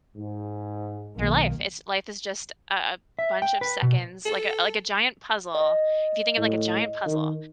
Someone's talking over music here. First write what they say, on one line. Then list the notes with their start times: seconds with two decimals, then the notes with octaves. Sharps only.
They're life, it's life is just a a bunch of seconds like, a like, a giant puzzle. If you think of, like, a giant puzzle
0.16 G#2
1.17 B1 D#3 A#3
3.19 E5
3.42 G5
3.61 B4
3.82 B2
4.26 A4
5.55 D#5
6.37 A2
7.06 D#3